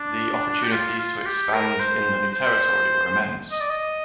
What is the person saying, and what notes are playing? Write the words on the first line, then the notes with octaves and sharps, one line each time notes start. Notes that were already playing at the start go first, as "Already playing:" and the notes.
The opportunities to expand in the new territory were immense.
Already playing: D4
G4
F4
F4
G4
A#4
C5
C5
D#5
D5
D#5